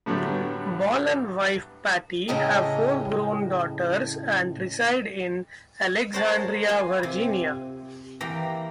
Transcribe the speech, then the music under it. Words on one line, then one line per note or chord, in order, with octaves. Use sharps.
Ball and wife, Patty, have four grown daughters and reside in Alexandria, Virginia.
A2 D3 F#3 G3 A3 B3
A2 C#3 C#4 D#5 G5 A#5
A#4 C5 C#5 F#5 A5
F4 G#5
C3
E3 A#3 G4 A#5